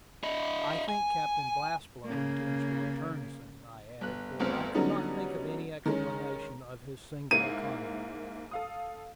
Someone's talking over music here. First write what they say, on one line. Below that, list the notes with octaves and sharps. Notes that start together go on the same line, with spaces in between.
"I think Captain Blastblow intends to return soon," I added, for I could not think of any explanation of his singular conduct.
E4 D#5
G#5
C#3 A#3
G1 F#6
G1 D2 C4 F6
D3 F#3 G3 B3 C#4 D#4
D#3 G#3 C#4
G#2 A#3 E4 D#7
A4 F5 D#6